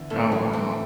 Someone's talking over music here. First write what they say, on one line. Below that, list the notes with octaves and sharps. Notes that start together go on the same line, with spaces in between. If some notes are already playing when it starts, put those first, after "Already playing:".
Oh, wow.
Already playing: D3 E3 B3
A2 A3
E3
C4